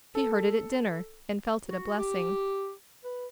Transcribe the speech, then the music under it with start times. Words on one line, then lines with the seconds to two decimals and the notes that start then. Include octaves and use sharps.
She heard it at dinner, and felt it a blessing.
0.15 A4
1.67 F#4
1.97 G4
3.04 B4